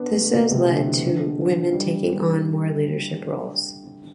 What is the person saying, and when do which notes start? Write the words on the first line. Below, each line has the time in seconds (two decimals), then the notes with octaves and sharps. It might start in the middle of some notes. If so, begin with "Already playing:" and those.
This has led to women taking on more leadership roles.
Already playing: B3 D4
0.10 A3
0.34 B2
0.51 C3
0.69 D3
0.87 E3
1.04 D3
1.38 E3
1.72 G3
2.08 G3